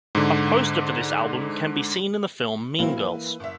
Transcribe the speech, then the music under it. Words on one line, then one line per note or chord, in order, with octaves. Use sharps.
A poster for this album can be seen in the film, "Mean Girls".
G#2 D3
A#2 F#3 A#3 C4 E4
E3 B4
F#1 E5